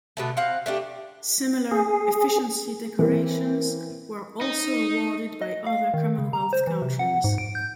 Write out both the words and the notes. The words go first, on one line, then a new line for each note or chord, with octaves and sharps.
Similar Efficiency Decorations were also awarded by other Commonwealth countries.
B2 D3 A3
C4 F5 F#5
A3 D4 G4
G#4
E3 A#3 C4
D#4
D#5
F5
D#3
C#3
A#5
C5
E3
C3
F#5
G#2
D7
G6